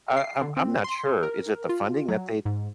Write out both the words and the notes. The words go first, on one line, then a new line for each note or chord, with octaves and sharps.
Uh, I'm I'm not sure. Is it the funding that they
C7
D3
C4
C6
A#4
F4
F#3
G#2